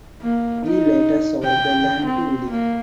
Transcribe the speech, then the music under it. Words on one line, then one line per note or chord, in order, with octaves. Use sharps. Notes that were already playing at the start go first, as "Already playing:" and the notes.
He later sold the land to William.
A#3
D#4
G5
C4
A#3